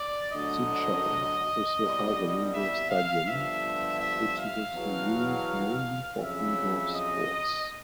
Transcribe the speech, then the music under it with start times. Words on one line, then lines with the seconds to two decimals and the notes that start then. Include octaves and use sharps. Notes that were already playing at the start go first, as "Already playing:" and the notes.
Silchar also has an Indoor Stadium which is also used mainly for indoor sports.
Already playing: D5
0.32 D2 D3 F#3 D#5
1.79 C2 B2 G3
2.52 E5
2.89 F5
3.25 G1 G2 D3 F3 E5
3.98 E5
4.36 F5
4.72 E2 B2 F#3
6.18 F2 C#3 F#3 E5
6.92 D#5